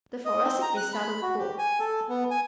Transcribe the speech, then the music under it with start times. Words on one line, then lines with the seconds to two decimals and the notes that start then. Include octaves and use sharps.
The Thoracic is seldom poor.
0.25 D#5
0.43 C4
0.62 A#5
0.77 F#6
0.93 B5
1.22 F#4
1.39 G4
1.58 G#5
1.80 A4
2.09 B3
2.31 G#5